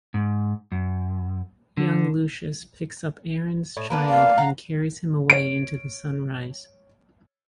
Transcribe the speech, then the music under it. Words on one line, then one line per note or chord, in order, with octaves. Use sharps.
Young Lucius picks up Aaron's child and carries him away into the sunrise.
G#2
F#2
D3
A2
A#3 B3 D4
F5
F5 F#5 A#5
C#5 D7